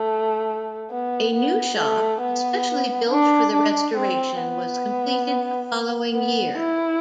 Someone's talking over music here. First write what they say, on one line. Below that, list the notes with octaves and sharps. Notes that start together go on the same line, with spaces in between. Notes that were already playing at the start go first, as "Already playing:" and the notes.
A new shop, especially built for the restoration, was completed the following year.
Already playing: A3
B3
B3
A3
B3
D4
D4
C4
B3
B3
E4